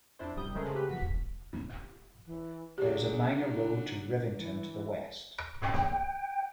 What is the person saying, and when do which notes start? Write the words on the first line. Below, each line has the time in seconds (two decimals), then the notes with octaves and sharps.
There is a minor road to Rivington to the west.
0.19 F2 D4 E4 C5
0.36 F#2 C3 G3 D#6 G6
0.55 C#3 G#3 A3 G#4 A#4 C5
0.72 C#3 A3 G4 B4
0.87 F#4 B6
2.26 E3
2.78 C#3 F#3 D4 G4 G#4 D5
3.38 D#4
4.38 E3
5.63 G5